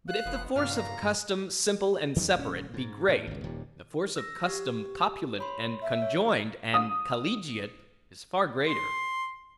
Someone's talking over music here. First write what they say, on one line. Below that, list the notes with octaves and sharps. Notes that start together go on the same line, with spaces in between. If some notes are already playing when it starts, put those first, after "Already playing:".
But if the force of custom simple and separate, be great, the force of custom copulate and conjoined and collegiate, is far greater.
F5 F#6
F1 F3 B3
G2 A#2 C#3 F5 F6
A#5
G2
E2 D#3 F#3 G3
D#1 C#4
G#2
A2
G#1 C#2
D#1 D#2 A#2
E6 A#6
G4
C#5 B5 C6
E5
C#5
D#6
C6